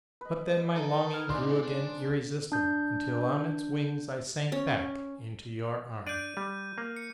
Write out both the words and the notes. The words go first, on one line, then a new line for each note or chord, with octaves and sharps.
But then my longing grew again irresistible, until on its wings I sank back into your arms.
B4 D#5
D#4 A4
F#5 F6 G#6
C#2 A#2 D4 D#4 C5 D5 G#5 C6
D4
D4 G6
C#4
D4 D5 G6 D#7
G3
A#3
C#7